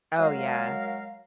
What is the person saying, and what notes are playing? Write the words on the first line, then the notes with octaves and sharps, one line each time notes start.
Oh, yeah.
F#3 G#3 A#4 F5